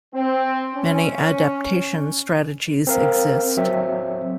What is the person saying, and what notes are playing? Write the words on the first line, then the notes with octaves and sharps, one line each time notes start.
Many adaptation strategies exist.
C4
C#4
C4 A#4 F5
F#3 C4 E5